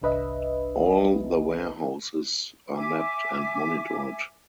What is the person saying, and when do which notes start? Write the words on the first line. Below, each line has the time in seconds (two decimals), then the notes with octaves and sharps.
All the warehouses were mapped and monitored.
0.02 G1 C2 D4 B4 D#5 E5
2.75 E5 G#5 D6